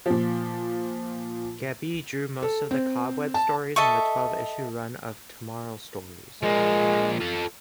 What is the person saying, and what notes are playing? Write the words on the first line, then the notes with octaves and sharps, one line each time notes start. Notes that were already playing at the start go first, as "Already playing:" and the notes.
Gebbie drew most of the Cobweb stories in the twelve-issue run of "Tomorrow Stories".
A#2 F3
A4
C4
A5
A4 D#5 E5 C#6
F3 G#3 A#3
F4 A4